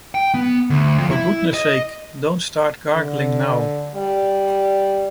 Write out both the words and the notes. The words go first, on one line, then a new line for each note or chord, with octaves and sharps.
For goodness' sake, don't start gargling now.
G5
B3
D2
F2
E4
D#5
D3
G3